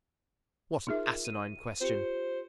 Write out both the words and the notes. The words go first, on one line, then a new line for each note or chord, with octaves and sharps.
"What an asinine question!"
D#4 F4 G#4 A#4 E5
D#7
F4 G4 C5 C#7